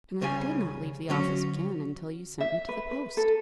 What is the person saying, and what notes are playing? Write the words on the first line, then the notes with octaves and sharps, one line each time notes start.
"And I did not leave the office again until you sent me to the post."
C#2 C#3 G3 C#4 G#5
D3 F#3 C#4 F#4
E5
B4
B4
A4